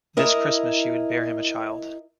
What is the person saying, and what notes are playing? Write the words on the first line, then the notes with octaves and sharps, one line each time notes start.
This Christmas she would bear him a child.
E4 A#4 D#5